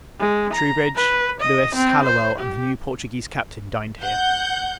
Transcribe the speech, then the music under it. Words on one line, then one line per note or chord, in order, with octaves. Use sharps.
Troubridge, Louis, Hallowell, and the new Portuguese Captain, dined here.
G#3
A#5
B4
D#5
C4
C5
G4
F#5 G6